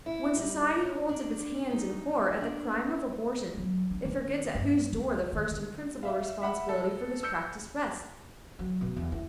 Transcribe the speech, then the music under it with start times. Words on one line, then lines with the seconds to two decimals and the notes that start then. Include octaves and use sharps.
When society holds up its hands in horror at the "crime" of abortion, it forgets at whose door the first and principal responsibility for this practice rests.
0.06 E4
0.37 G3
0.77 C#5
1.09 D4
1.71 D#4
2.41 D4
3.57 F#3
3.91 D4
4.05 D#3
4.55 G2
4.93 C#2
5.33 D#3
5.51 D3
6.03 E5 F5
6.42 E5 F#5 B5
6.69 A4
7.23 E6 G6 C#7
8.59 F#3
8.81 B2
8.97 E2
9.12 E4